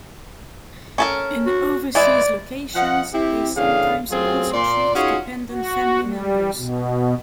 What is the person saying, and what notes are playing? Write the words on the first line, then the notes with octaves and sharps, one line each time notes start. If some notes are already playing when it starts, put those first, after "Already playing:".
In overseas locations, they sometimes also treat dependent family members.
C#4 A4 A#4
F#4
E3 G#3 E4 D5
F3 F4 D#5 F#5
C4 E4 G4
A2 C#3 E3 D4 G#4 F5
F#2 F#3 A3 C4 F4 G#4
A#2 D5 C6
C#4 D#4 F4 F#4 G#4 C#5
F#4
G3
B2